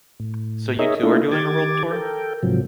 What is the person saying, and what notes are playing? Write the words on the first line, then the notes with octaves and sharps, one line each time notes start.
So you too are doing a world tour?
A2
D#4 G#4 A#4 C#5 D#5 E5
A3 A#3 D4 E4 F4 A4
D#3 G4 D6 G#6 A6
A4 A#4 G5
G#2 C3 F3 F#3